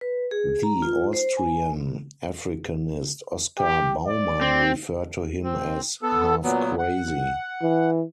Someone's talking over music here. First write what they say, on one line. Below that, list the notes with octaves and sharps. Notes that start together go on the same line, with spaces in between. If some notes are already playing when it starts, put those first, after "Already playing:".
The Austrian Africanist Oscar Baumann referred to him as "half crazy".
B4
G#4
A#5
F4
C5
G#5
G4
D5
C4
C4
B3 A4
A#2 F#3 B3
F#5
E3